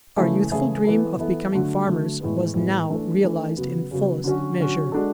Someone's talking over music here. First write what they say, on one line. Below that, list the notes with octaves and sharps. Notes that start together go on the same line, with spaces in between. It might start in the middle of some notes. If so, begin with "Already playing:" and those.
OUR youthful dream of becoming farmers was now realized in fullest measure.
C#3 E3 A3 E4 G#4
C#3 E3 A3 E4 G#4
E3 B3 E4 A4
E3 B3 E4 A4
D3 F#3 A3
D3 F#3 A3
A2 E3 G#3 B3
A2 E3 G#3 B3
E3 A3 D4 A4
E3 A3 D4 A4
C#3 F#3 B3
C#3 F#3 B3
D3 F#3 C#4 F#4
D3 F#3 C#4 F#4
G#3 D4 F#4 A4